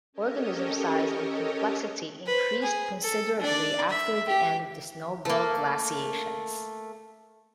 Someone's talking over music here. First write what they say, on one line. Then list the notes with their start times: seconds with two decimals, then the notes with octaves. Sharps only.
Organism size and complexity increased considerably after the end of the snowball glaciations.
0.13 C#4 G4 A4 A#4 C#5 D#5
2.26 B4 C5
2.62 G#4
3.02 A4
3.40 D4 D5
3.90 E5
4.27 G4
5.25 A3 A#3